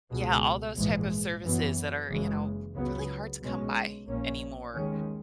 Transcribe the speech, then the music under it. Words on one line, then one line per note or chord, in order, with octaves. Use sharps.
Yeah, all those type of services that are, you know, r really hard to come by anymore.
C#2 B2 G#3
A#1 G#2 E3 G#3
F#2 E3 B3
F#1 F#2 C#3 E3 G#3
C#2 C#3 F#3 B3
B1 B2 G#3 C#4
A#1 A#2 A#3 C#4
D#2 D#3 G#3 C#4